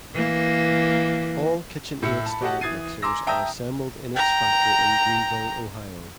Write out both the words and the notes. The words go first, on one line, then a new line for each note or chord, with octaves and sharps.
All KitchenAid stand mixers are assembled in its factory in Greenville, Ohio.
E3 A#3
A2 E4 C#7
A5 B5
F#4 G4 A4 D#5 F#5 A5
E3 D#6 G#6 A6 C7 D#7
G#5 A#5 C6 D6 E6 A#6
E5 G5 A5 A#5 D#6 E6
G5 A#5